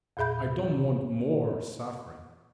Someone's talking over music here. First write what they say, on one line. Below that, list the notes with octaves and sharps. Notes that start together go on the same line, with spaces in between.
I don't want more suffering.
E2 A#2 G#4 E5 B5 G6